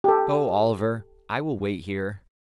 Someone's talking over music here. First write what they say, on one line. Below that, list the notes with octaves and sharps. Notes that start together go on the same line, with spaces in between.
"Go, Oliver; I will wait here."
G4 A4